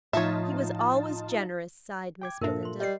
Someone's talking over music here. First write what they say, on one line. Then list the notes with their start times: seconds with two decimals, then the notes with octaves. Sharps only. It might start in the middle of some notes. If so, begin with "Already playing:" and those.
"He was always generous," sighed Miss Belinda.
0.13 A2 F3 D#4 F4 C#5 E5 A5
2.22 G5 D6 G#6
2.41 G2 A#2 D4 F4 A4 A#4 C5 E5
2.63 C5 C6
2.80 G3 D#5 C7